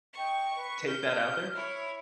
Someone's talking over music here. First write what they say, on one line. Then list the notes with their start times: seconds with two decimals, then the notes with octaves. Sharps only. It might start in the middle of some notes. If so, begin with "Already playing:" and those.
Take that out there?
0.16 D#5 G5 C#6
0.54 B4
0.87 F6 G6
1.54 E4 C#5